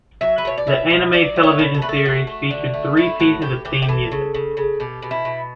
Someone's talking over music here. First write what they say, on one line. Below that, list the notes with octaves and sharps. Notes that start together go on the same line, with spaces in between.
The anime television series featured three pieces of theme music.
F#3 E5
B4
B2 C#5
D5
B2 E5
B2
F#3 D5
A3
C#5
B2
A4
A3 B4
A4
A3 F#4
A3
D3
A3
A3 E4
A2 F#4
A2 G4
E3 G4
G4
E3 A4
C#3
C#3
C#3
B2 G4
B2
E4
B2